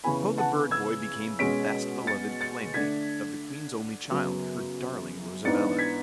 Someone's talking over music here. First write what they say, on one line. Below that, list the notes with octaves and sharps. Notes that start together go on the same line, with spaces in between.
So the bird-boy became the best beloved playmate of the Queen's only child, her darling Rosabella.
C#3 E3 B3 G#5 B5
F#5 A5
E6 G#6
B2 G#3 C#4 B6 D7
A6 C#7
A6 C#7
D3 A3 D4 G#6 B6
F#2 C#3 F#3 B3
G#2 E3 B3 D4 A6 C#7
G#6 B6